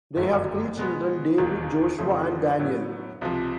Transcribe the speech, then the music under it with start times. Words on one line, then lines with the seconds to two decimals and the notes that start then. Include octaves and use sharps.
They have three children: David, Joshua, and Daniel.
0.15 G1 F#2 D#3 F#3 A3
0.77 B2 G#3 B3
1.38 E1 D#2 D#3
1.99 F2 C#3 F3 A3
2.59 A2 F#3 B3
3.21 C#2 C3 F3